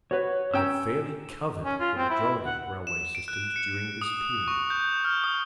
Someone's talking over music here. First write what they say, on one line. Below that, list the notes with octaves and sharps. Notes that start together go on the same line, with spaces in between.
I have fairly covered the majority of railway systems during this period.
F#4 B4 C#5
C#4 G5 A#5 E6
C#4
F4
C4
E4
F#5
E7
D7
F#6
C#7
D#6
C#6
G6
F6
D#6